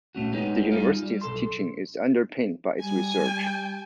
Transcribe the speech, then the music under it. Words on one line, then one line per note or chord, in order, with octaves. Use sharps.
The university's teaching is underpinned by its research.
A#2 A3 C#4 F#4
G#3 B3 C#4 D#4 G4
G3 D#4 F4 G#4
G3
B1 A4 C6
G3 G#5